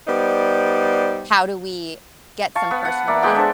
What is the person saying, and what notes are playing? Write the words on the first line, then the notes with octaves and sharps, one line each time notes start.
How do we get some personal life
G3 B3 D#4 C5 D5
F5 A5 C#6
B3
F#5
A#3 D5 E5
G#3 B3 G4 F#5
D4 A4 C5 A5